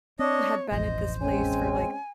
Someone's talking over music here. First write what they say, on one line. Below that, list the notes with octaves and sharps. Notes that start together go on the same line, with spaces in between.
had been at this place for like
C4 D4 C#5 D#5
E1 A1 F2 C5 D#5
G#3 C4 C#4 G#5